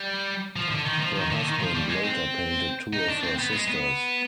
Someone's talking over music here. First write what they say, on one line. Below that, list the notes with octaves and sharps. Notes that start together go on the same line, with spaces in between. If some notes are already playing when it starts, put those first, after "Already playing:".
Her husband later painted two of her sisters.
Already playing: G3
F3
D3
D#3
F3
D#3
D3
D#3
F3
G3
G#3
C4
D#4
D4
C4
B3
G#3
B3